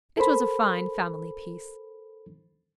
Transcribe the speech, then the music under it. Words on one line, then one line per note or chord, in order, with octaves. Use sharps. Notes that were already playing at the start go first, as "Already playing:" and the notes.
It was a fine family-piece.
A4 A#4 C5 B5